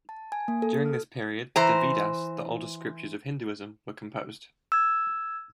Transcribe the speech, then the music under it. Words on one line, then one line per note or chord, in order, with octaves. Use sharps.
During this period the Vedas, the oldest scriptures of Hinduism, were composed.
A5
G#5
A#3
A4
F6
E3 C5 A#5
E6 G#6